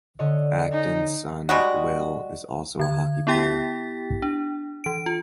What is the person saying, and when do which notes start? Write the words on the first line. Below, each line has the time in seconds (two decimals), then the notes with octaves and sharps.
Acton's son, Will, is also a hockey player.
0.19 D3 C#5 D#5
0.72 C#4 D#4
1.49 G3 G#3 F#4
2.79 D3 G#6
3.27 B3 E4 G4 G5 A6 B6
4.22 D4
4.84 E3 D7
5.06 F4